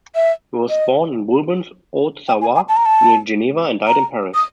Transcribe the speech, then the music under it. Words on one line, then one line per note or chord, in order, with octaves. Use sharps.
He was born in Vulbens, Haute-Savoie, near Geneva, and died in Paris.
E5
D#5
G5
G#5
G#5
A5
A#5
A5
A#5
D#6